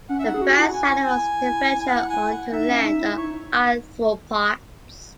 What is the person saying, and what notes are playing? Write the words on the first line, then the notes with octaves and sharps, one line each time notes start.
The first animals to venture onto land are arthropods.
C#4 F#5
E5
D#4 F#5
G#4
F#4
G#5
E4 F#5
G#5
G#5
F#5
G#5
F#5
D#4 E5
C#4
D#4
E4
D#4 C#5